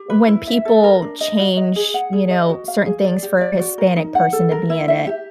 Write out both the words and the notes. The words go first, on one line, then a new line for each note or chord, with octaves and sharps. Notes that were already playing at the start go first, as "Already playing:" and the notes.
when people change, you know, certain things for a Hispanic person to be in it.
Already playing: G4
B4
E4
E5
A4
A#4
D4
D#5
F#4
D#5
G#4
F#5
G#4
D#5
F#4
F5
G#4
D5
G4
D5
F#4
A#4
D#4
F#5
A4
A#4
E4
E5
G4